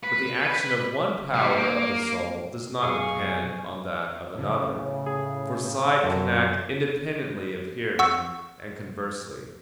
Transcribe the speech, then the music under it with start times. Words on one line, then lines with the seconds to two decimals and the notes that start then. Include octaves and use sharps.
But the action of one power of the soul does not depend on that of another; for sight can act independently of hearing, and conversely.
0.03 B4
1.34 B2 G3
1.56 A#3
2.82 F#2 B2 G#4 F5 G#5 C#6
4.35 A2 C#3
5.06 G#4
6.04 F#2 A4
7.99 F#5 C#6 E6